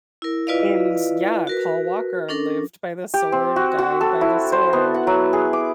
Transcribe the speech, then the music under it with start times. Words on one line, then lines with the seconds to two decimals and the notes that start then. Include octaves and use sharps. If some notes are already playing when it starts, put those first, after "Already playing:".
and yeah, Paul Walker lived by the sword, died by the sword.
0.22 E4 A#4
0.47 E4 F4 B4 D5 D#5 F5
1.47 F#4 A#4 B4
2.29 C#4 D4 A4 A#4
3.14 G4
3.32 C4
3.56 F#4
3.78 F#4
4.01 A4
4.21 E4
4.52 C5
4.73 B3
4.94 F#5
5.07 F#3
5.33 G#4
5.53 D6